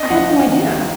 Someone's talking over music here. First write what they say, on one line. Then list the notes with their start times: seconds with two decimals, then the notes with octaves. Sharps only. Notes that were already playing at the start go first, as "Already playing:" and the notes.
I had no idea.
Already playing: D4 D#5
0.10 F3 F#5
0.29 F3 F#5
0.48 D#3
0.68 A#3